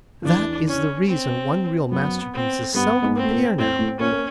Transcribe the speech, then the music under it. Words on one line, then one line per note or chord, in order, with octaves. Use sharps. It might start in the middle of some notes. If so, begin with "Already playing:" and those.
That is the reason one-reel masterpieces seldom appear now.
F3
E2 E3 D4
C#4
C4
F#2 F#3 B3
C4
G2 G3 B3
G#2 G#3
C4
A3
A#2 A#3
A2 A3 C4
A2 A3
A#2 A#3 C#4
A#3